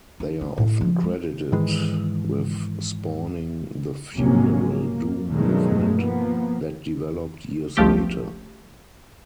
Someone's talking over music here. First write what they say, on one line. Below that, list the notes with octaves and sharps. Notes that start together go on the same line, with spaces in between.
They are often credited with spawning the funeral doom movement that developed years later.
D4
C#4
A2
F3
G#3
G#2 D#3 E3 G#3
A#1 G#2 C3 F#3 A#3 C#4
A#3
G2 B2 D#3 F#3 G#3 A3
F3 A#3 B3
G1 C#2 F3 A3 G4